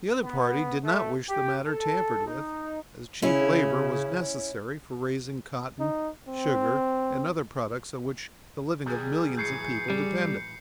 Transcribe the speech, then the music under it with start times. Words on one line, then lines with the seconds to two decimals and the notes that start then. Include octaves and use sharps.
The other party did not wish the matter tampered with, as cheap labor was necessary for raising cotton, sugar and other products on which the living of millions of people depended.
0.24 B3
0.84 A3
1.29 G4
1.66 A4
2.27 D#4
3.22 C#3 C#4 E4
5.80 D#4
6.28 C4
8.86 D#2 F#3 G3 G#4
9.37 A2 E3 F#3 G6 C7 C#7
9.90 G3